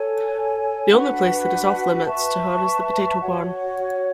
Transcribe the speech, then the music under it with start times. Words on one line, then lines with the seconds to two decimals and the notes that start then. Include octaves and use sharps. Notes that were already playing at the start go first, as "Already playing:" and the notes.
The only place that is off-limits to her is the potato barn.
Already playing: A4 C#5 G#5
0.90 D4 F#4 B4 F#5
2.05 B4 E5 A5 C#6
3.21 F#4 C#5 F#5